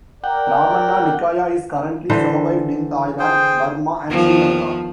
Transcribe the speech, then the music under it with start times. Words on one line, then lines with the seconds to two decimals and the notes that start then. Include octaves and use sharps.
Ramanna Nikaya is currently survived in Thailand, Burma and Sri Lanka.
0.24 A#4 D5 F#5 G5
2.10 D3 E3 C5
3.19 G#4 C5 G5
4.08 E2 D#3 F3